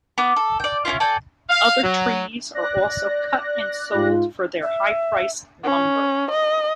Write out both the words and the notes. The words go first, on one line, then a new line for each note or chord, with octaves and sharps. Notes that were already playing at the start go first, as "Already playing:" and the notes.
Other trees are also cut and sold for their high-priced lumber.
B3 D6
A4
D5 G5
C#4 D4 E4 F4
A4 D5 G5 G#5
F5
F#3
D5 F#6 A#6
G#2 F4
E5
C#4
D#5